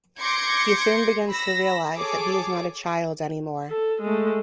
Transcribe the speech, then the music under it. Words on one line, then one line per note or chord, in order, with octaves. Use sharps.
He soon begins to realize that he is not a child anymore.
C6 D6 G6 G#6 A#6 C#7
B5 E6 A#6
G#4 A4 C#5 D6
A4
G#3 A3